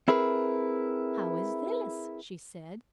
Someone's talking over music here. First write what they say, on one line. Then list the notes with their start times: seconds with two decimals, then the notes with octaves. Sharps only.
"How is this?" she said.
0.08 C4 E4 G#4 A#4 B4